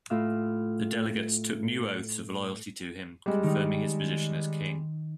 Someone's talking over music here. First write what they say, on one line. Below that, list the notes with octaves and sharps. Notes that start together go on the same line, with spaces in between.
The delegates took new oaths of loyalty to him, confirming his position as king.
A2 F4 F5 E6
G3 G#3
D#3 D#4